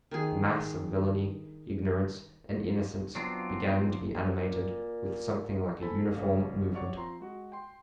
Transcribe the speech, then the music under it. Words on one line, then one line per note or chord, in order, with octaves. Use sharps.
The mass of villainy, ignorance, and innocence began to be animated with something like a uniform movement.
D#3 G#4
F#3 B3 C4 D4 F4
A#2
A4 C5 G#5 B5
G#1 C#3 C#5 F5
C3 C#5 D5 F#5 C#6
F3 C4 A#5 C6
G#3 F#4
G5 C6